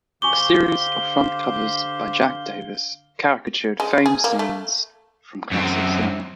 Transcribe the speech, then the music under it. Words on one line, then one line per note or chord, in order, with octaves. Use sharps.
A series of front covers by Jack Davis caricatured famed scenes from classic cinema.
D3 G4 C5 F5 G#5 C#6 D6 G7
G#3
G#4
A#3
A3
F#2 C4